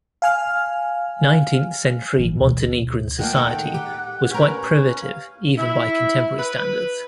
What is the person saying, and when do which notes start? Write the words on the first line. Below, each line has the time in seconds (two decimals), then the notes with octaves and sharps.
Nineteenth-century Montenegrin society was quite primitive even by contemporary standards.
0.22 F5 G#5 F6
2.18 G#1 E3 F3
2.37 D2 B2
3.19 D#3 F3 A#3 F#5 G5
3.34 D#3 A4
3.74 G4
4.31 C#4 G4 A#4 B4
5.02 F5
5.58 E4
6.39 B4